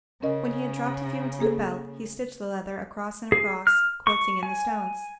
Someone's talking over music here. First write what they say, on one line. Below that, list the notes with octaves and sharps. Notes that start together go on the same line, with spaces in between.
When he had dropped a few into the belt, he stitched the leather across and across, quilting-in the stones.
C#3 C#4 A#4 D#5
A#3 G#4 A4
G#4
F6
C#6
G#5